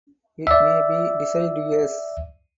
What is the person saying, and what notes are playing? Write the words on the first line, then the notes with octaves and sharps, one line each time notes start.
It may be deciduous.
D5 E5